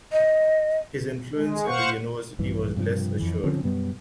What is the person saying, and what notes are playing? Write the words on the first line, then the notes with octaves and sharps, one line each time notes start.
His influence in the University was less assured.
D#5
G#3
C5 F5 F#5 C#6
A#1 G2 E3
G2 C3 F3
F2 E3
D3 F3 C4 C#4
F#2 B2 G3 B3